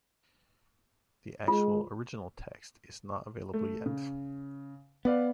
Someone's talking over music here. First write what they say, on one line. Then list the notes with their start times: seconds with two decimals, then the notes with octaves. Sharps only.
The actual original text is not available yet.
1.48 G#3 F4
3.54 A3
3.86 C#3
5.05 B3 B4 D5 F5